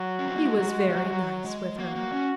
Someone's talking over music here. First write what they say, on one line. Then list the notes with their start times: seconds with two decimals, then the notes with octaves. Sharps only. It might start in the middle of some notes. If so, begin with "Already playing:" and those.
He was very nice with her.
Already playing: F#3 F#4
0.19 C#4
0.27 C4
0.36 A#3
0.45 G#3
0.59 F#3
0.66 G#3
0.89 G#3
0.96 F#3
1.04 G#3
1.12 F#3
1.45 G#3
1.79 A#3 F#4
1.95 A#3
2.12 C#4